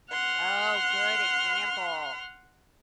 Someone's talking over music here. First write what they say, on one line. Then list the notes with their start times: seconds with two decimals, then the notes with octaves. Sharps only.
Oh, good example.
0.11 F#5 C6 F6